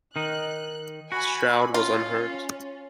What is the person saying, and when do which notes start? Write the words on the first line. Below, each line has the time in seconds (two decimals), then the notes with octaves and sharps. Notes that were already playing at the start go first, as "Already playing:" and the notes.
Stroud was unhurt.
0.16 D#3 D#4 F#6
1.12 F#4 G#5 B5
1.74 C#4 F4